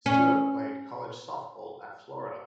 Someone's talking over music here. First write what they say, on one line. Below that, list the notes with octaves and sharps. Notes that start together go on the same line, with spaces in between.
Stewart played college softball at Florida.
C#4